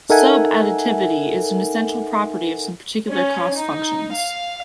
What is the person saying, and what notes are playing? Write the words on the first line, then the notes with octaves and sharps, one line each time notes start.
Subadditivity is an essential property of some particular cost functions.
D#4 A4 A#4 E5 F#5 G#5
C#4
D#4
F5